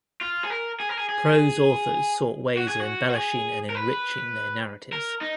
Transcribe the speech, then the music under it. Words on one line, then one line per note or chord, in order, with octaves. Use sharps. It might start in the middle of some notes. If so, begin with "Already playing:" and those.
Prose authors sought ways of "embellishing and enriching" their narratives.
F4
G#4
A#4
G#4
A#4
G#4
G#4
F#4
G#4
F#4
F#4
G#4
A#4
B4
A#4
D#4